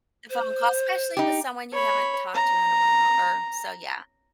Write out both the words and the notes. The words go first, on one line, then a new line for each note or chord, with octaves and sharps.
a phone call, especially with someone you haven't talked to in a while, or so, yeah.
C5
D#4 G4
C#5 B5
A#5